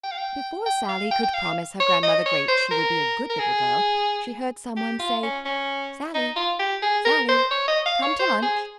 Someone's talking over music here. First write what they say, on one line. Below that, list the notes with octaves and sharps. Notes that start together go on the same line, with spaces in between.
Before Sallie could promise her Grandmother Great she would be a good little girl she heard some one say, "Sallie, Sallie, come to lunch."
G5
F5
G5
G5
F5
G5
G5
F5
C#5
D#5
C#5
C5
A#4
A#4
G#4
G4
F4
C#4
C#4
D#4
F4
G4
G#4
A#4
C5
C#5
D#5
F5
C#5
C5
G#4